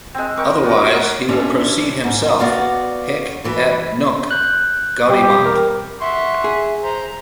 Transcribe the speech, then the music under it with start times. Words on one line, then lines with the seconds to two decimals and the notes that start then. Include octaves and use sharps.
Otherwise, he will proceed himself, hic et nunc..." "Gaudiband.
0.14 G#3 C4
0.37 A#4 G5 C#6 D6
0.63 F4 F#4
0.77 A#4
1.28 A2 D3 C#4 D4 C#5 E5
2.04 G#2
2.40 B3 F#4 D5 F5
3.44 D2 E3 B4
4.31 F#6 G6
5.09 B2 G3 C4 G4
5.46 A#4
6.01 E5 F#5 C6 C#6
6.44 G#4
6.84 C5 A#5